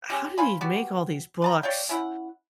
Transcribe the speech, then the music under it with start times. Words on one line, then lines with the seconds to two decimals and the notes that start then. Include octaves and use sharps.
How did he make all these books?
0.10 G#3 C#4 G4
0.38 C5 F5 G#5 B5
0.61 B3 F#4 G4
1.42 B4 A5 A#5
1.63 C#5 D5 F5 G5
1.89 C#4 E4 F#5